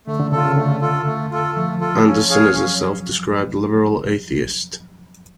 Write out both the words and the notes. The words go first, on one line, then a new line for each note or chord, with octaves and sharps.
Andersen is a self described "liberal atheist".
D3 A3
D3
C#3 F4 A4
C#3
D3 A3
F4 A4
A3
F4 A4
F3 A3
F4 A4
C#4
G#4 C#5 F5
F#3 C#4